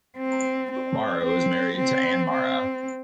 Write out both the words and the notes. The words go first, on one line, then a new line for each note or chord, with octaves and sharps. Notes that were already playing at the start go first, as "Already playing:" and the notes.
Mara was married to Ann Mara.
C4
C4
C4
C4
C4